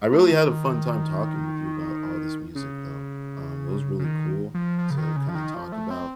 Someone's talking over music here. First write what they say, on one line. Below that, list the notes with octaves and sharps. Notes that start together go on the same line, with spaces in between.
I really had a fun time talking with you about all this music though. Um, it was really cool to kinda talk about
A3
D#3
C#3
C#3
D#3
F3
F3
C#3
D#3
C#3
F3
D#3
F3
A3
C4